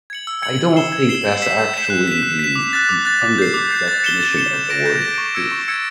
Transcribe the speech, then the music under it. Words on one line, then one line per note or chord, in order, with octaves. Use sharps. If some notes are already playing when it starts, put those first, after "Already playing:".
I don't think that's actually the intended definition of the word "truth."
G#6 C#7 F#7
E6
G#6 C#7 F#7
G#6
C7 E7 G7
G#6
C7 E7 G7
G6
B6 E7
G6
B6 E7
F#6
B6 E7
F#6
B6 E7
D6
F#6 A6
D6
F#6 A6
D6
G6 C7
D6
G6 C7
A6
C#7 E7 G7
A6
C#7 E7 G7
G6
A#6 D7
G6
A#6 D7
C#6
E6 G#6 C#7
C#6
E6 G#6 C#7